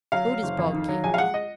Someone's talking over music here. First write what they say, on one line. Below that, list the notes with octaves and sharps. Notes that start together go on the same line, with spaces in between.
Food is bulky.
F#3 F5
F#3
F#1
F2
D#3
F#3
A#1 G#5
F5
G#3 F#5
D#5